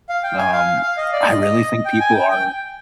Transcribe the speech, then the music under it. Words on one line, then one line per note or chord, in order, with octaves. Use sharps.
Um, I really think people are
F5
G5
G#5
F5
F5
D#5
D5
D#5
D#5
G5
G#5
G5
G5